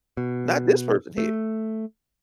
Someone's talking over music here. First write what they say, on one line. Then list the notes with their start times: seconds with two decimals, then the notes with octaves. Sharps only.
Not this person here.
0.17 B2
1.18 A3